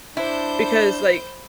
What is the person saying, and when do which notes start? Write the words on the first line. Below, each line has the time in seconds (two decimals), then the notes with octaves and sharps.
because like
0.17 D4 E4 C5 G6